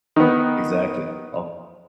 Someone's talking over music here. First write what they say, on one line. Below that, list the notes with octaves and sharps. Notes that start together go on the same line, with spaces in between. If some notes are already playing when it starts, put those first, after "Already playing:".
Exactly, o
D#3 B3